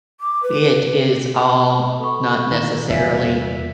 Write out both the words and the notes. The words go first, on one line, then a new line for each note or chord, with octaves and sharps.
it is all not necessarily,
D6
B4
A4 B5 C#6
D#3 E4 E5 E7
E2 C3 G3 C#5 E5 F5 G#5 B6